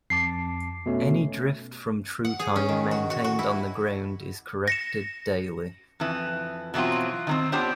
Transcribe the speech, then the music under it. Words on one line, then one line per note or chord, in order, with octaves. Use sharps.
Any drift from true time maintained on the ground is corrected daily.
F2 A5 D6 C7
B2 A3 C#4
F#5
G#4
C#4
D#3
F#4
F#4
F#4
E4
A#6 C#7 E7
F2 E3
B2 E3 F#3 C4 F4
D#3 A#3 C4
B3 D4 F4 G4 C5 C#5